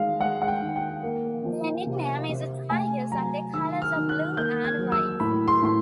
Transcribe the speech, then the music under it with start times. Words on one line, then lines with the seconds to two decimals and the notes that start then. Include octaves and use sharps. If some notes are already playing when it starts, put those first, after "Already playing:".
Their nickname is the Tigers and their colors are blue and white.
Already playing: D#3 G#3 F5
0.20 G#3 F#5
0.42 F#5
0.48 G5
0.61 D#3
0.76 G5
1.03 A#3
1.45 F3
1.87 C3
2.29 C3
2.70 A3 G#5
3.11 F#3 A#5
3.53 D#3 E6
3.82 F6
3.96 D#3
4.09 F#6
4.37 A#3 G6
4.64 G#6
4.78 F#3
4.92 E6
5.20 A2 B5
5.48 C6
5.62 A2 C6